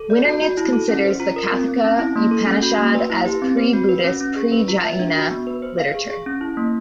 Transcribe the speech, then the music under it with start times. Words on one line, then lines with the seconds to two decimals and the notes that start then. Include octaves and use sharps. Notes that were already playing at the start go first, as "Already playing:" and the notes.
Winternitz considers the Kathaka Upanishad as pre-Buddhist, pre-Jaina literature.
Already playing: A4
0.10 D5
0.25 F#4
0.41 F#4
0.57 E4
0.73 A4
0.89 C#4
1.04 C5
1.20 F4
1.36 A#4
1.52 C4
1.68 C4
1.84 C#4
1.99 E4
2.16 A#3
2.31 A4
2.47 C#4
2.62 F#4
2.78 A#3
2.94 B4
3.10 E4
3.26 G4
3.42 C4
3.57 C5
3.73 F#4
3.89 B4
4.04 C#4
4.21 C#4
4.36 G#4
4.52 B4
4.68 F4
4.84 E5
4.99 D4
5.15 F#4
5.31 B3
5.47 B4
5.62 C5
5.79 F5
5.94 G#4
6.10 G#4
6.26 C#4
6.41 E4
6.57 A#3